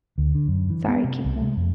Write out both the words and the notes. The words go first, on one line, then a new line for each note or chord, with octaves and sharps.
sorry, keep going.
D2
D3
F#2
E3
B3
C3
C2
G#3
F2